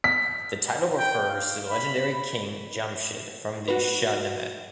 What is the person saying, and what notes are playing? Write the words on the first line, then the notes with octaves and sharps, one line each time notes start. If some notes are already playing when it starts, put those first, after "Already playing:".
The title refers to the legendary king Jamshid from the Shahnameh.
B6
G5
F5
B5
F#4 B4